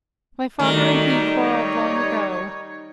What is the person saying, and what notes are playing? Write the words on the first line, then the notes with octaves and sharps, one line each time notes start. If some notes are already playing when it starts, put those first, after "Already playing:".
My father and he quarrelled long ago.
D#3 G3 A3 D#4 F#4
C#5